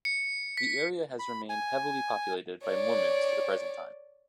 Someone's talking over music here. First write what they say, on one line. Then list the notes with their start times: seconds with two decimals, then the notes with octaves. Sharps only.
The area has remained heavily populated by Mormons to the present time.
0.05 C#7
0.57 B6
1.19 B5
1.49 G#5
2.65 C#5 D5